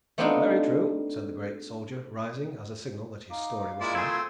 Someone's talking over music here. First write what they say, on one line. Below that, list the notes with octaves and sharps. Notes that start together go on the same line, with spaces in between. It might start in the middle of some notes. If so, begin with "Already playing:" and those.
"Very true," said the great soldier rising, as a signal that his story was done.
A3 B3 C4 D4 D#4 F4
D#4 F5 D6
G#3 A#3 E4 F4 D5
A3 C4 E4 G#4